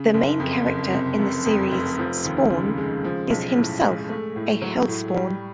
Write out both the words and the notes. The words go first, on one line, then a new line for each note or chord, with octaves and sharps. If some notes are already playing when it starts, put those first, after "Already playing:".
The main character in the series, Spawn, is himself a Hellspawn.
Already playing: C#3
F#1
F2
F#1
C3
F1
F2
F1
F3
D#2
C#3
G#3
F3
B1
A2
G#3
A3
A2
F#3
A2
G3